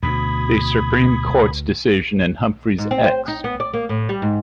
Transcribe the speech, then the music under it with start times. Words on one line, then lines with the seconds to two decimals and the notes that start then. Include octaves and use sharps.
The Supreme Court's decision in Humphrey's Ex.
0.03 D2 B2 B5 D#6 G#6
2.78 G#2
2.91 C4
3.04 C5
3.28 D#4
3.44 B3
3.60 D5
3.74 A#3
3.89 A2
4.09 G3
4.22 G#2